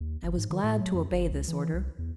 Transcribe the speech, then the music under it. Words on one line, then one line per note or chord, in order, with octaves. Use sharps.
I was glad to obey this order.
D#2
G1
G#2
D#3
A2
F#3
F2
G1
C#2
E3
C2
E2